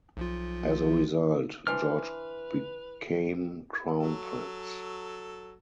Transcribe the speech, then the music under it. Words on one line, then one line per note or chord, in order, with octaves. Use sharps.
As a result, George became Crown Prince.
B1 F3 F4
E3 D4 B4 C5 F6
F#3 A4